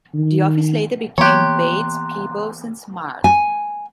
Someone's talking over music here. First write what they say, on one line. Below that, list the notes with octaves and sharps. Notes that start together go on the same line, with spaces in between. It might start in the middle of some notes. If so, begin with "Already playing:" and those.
The office later became Bates, Peebles and Smart.
D#3
E3 A#3 B3 G4 C#5 A#5 C6 F#6
G#5